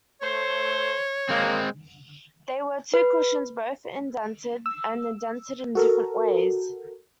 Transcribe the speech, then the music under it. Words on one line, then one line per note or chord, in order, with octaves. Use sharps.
They were two cushions, both indented, and indented in different ways.
A3 C5 C#5
G#3 A#3 C4
B4
E6
F#4 A4 A#4